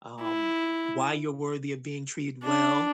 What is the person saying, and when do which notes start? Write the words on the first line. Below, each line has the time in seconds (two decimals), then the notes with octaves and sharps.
um, why you're worthy of being treated well,
0.22 E4
2.44 D4